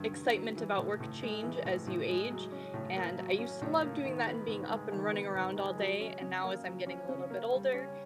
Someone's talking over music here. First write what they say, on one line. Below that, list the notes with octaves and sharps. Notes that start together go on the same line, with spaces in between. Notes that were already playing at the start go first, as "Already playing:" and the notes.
excitement about work change as you age? And I used to love doing that and being up and running around all day, and now as I'm getting a little bit older,
Already playing: G2 D#3 F#3
G2
F#3
E3
A2
A2
G#3
E3
A2
A2
G#3
F#3
C#4
A2
A#3
F#3
C#4
A2
A#3
D#3
B3
G#2
G#3
D#3
B3
G#2
G#3
F#3
C#4
C#3
A#3
F#3
C#4
C#3
A#3
G3
C#4